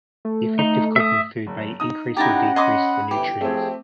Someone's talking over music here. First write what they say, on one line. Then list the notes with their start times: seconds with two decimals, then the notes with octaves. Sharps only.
The effect of cooking food may increase or decrease the nutrients.
0.25 A3
0.59 D#4
0.96 E5 D#6
1.47 F#1
1.80 D#4 D#6
2.17 C#4 D#4 E4 G4 F#5 A#5 A6 A#6
2.56 D#5 B5 C6 D6 D#6 G#6
3.11 G1 E3 G4
3.41 F2 A2 A3 C4 G#4